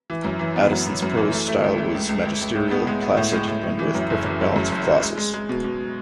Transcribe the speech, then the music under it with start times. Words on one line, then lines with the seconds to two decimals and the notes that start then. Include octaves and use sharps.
Addison's prose style was magisterial, placid, and with perfect balance of clauses.
0.10 E3
0.24 F#2
0.39 E3
0.56 B3
0.71 F#2
0.86 B3
1.02 F#2
1.17 E3
1.32 A3
1.48 A3
1.64 C#2
1.78 A3
1.94 C#2
2.09 C#2
2.25 C#2
2.41 C#2
2.55 A2
2.71 B3
2.87 G#3
3.02 B3
3.17 A2
3.33 G#3
3.48 A2
3.63 A2
3.79 E3
3.95 F#2
4.10 F#1
4.26 E3
4.41 F#1
4.56 F#2
4.72 F#1
4.87 F#1
5.02 G#3
5.18 G#3
5.34 G#3
5.49 B2
5.64 B2